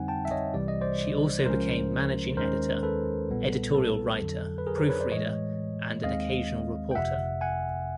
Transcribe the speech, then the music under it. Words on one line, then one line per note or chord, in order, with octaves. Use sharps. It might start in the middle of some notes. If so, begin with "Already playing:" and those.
She also became managing editor, editorial writer, proof reader and an occasional reporter.
Already playing: F2 D3 G3 C4 D#4 F#5 G#5
G5 A5
E5
C#5 D#5
C2 C3 E3 G3 D5
D#5
C5 D5
C#2 C#3 F3 G#3 C#4 A#4 C5
D#2 D#3 G#3 C#4 A#4 C5
A4 B4
B1 A#2 G3 B3
A4
F2 D3 F#3
B4
G#4 A#4
A#4 C5
B4 C#5
C5 D5
A2 E3 G#3 C#5 D#5
D#2 D#3 G#3 C4 D#5 F5
G5
G1 F2 C3 E5 F#5
F#5 G#5